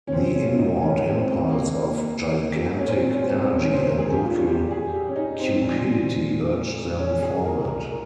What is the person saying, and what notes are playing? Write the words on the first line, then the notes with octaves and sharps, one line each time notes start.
The inward impulse of gigantic energy and brutal cupidity urged them forward.
C#4
C3 F3 G#3 C4
C#4
F4
D#4
C#4
C4
A#3
C#4
A#2 G3 C4
C#4
C4
C4
C#4
C5
A#4
G#4
G4
F4
G4
G#4
G4
C#4
D#4
C4
A#2 F3 G#3
C#4
G#4
A#4
A#4